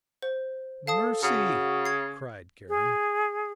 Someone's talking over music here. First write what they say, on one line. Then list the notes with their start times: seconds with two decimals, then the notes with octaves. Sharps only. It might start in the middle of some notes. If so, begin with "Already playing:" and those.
"Mercy!" cried Karen.
0.22 C5
0.87 A4 F5 A5 D#6
1.23 C#3 F#4 F#5
1.85 G#6 C7
2.69 G#4